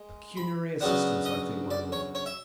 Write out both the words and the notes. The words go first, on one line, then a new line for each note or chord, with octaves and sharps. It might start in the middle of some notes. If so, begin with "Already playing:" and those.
"Pecuniary assistance, I think, my Lord."
Already playing: G#3
B5
C#3 F#3 B3 D4 F#5
D#5
D5
C#5
C#5
E5